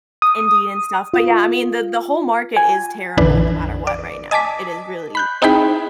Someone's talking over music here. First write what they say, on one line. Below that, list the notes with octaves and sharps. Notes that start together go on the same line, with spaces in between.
Indeed, and stuff, but yeah, I mean, the the whole market is terrible no matter what right now, it is really,
D#6
F4
G#5
A#1 F2 D3 E3 D4 B4
D5
D#5 G#5 A5 D6 B6
B5 F#6 G6
C4 D#4 E4 G#4 G5 B5